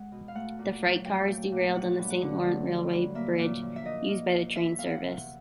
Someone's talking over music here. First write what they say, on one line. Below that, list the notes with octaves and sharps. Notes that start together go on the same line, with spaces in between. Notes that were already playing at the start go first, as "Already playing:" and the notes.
The freight cars derailed on the Saint-Laurent Railway Bridge used by the train service.
Already playing: G#3 F#5
B2
F5
A3 F#5
A#2
F#3
A#2 G5
A3
A#2
F#3 F#5
G2
F#5
D3
A3
F#3
G2
A#3 E5
A#2
F3
E5
A#2 D#5
A#3
A#2
E3 E5
E2 F5
F#5
C3